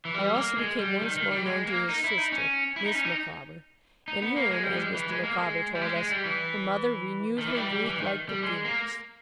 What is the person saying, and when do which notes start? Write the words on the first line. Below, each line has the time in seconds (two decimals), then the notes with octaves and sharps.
I also became once more known to his sister, Miss Micawber, in whom, as Mr. Micawber told us, 'her mother renewed her youth, like the Phoenix'.
0.05 E3
0.14 G3
0.36 A#3
0.58 G#3
0.80 G3
1.02 D#3
1.16 D#3
1.31 G3
1.46 G#3
1.67 A#3
1.89 D#4
2.04 E4
2.18 D#4
2.32 C#4
2.76 E4
2.85 D#4
2.95 C#4
3.05 D#4
4.08 D#4
4.22 B3
4.36 A#3
4.51 G#3
4.63 G3
4.76 G#3
4.94 E3
5.09 G#3
5.23 A#3
5.38 G#3
5.75 G3
5.81 G#3
5.96 G#3
6.11 G3
6.25 E3
7.38 D#3
7.47 E3
7.56 G3
7.71 G3
7.85 E3
8.00 D#3
8.29 G3
8.44 G#3
8.65 A#3